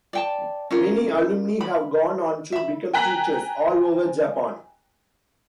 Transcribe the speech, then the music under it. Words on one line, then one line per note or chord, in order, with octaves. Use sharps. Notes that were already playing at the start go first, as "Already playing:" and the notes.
Many alumni have gone on to become teachers all over Japan.
D5 G5 A5
C#4 F4 A#4
B5
E5 B5
G5 G#5 A#5 F#6 B6